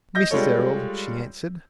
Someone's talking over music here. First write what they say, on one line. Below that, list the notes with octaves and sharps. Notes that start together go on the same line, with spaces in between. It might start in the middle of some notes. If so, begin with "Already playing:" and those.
"Mrs. Errol," she answered.
D#5 G6 A#6
G3 G#3 F4 A4 C#5